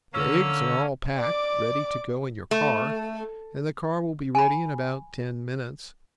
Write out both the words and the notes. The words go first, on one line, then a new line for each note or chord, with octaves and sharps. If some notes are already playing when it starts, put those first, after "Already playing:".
The eggs are all packed, ready to go in your car and the car will be ready in about ten minutes.
D3 A#3 C#4 E6
D5 D6
A3
G#5 B5